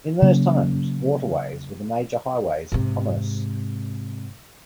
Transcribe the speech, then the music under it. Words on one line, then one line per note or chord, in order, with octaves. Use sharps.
In those times, waterways were the major highways of commerce.
C#3 F#3 A#3 C#4
G#2 C3